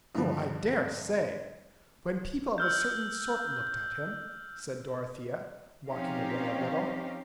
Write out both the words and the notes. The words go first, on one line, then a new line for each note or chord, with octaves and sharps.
"Oh, I dare say! when people of a certain sort looked at him," said Dorothea, walking away a little.
G2 D3 F3
E6 F6 G6
F3 C4 C#4 D#4 G4 F5